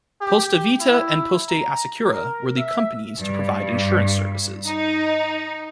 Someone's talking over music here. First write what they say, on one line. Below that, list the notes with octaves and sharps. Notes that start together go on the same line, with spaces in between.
Poste Vita and Poste Assicura were the companies to provide insurance services.
G4
E4
A#5
A#4
E5
G2
D#4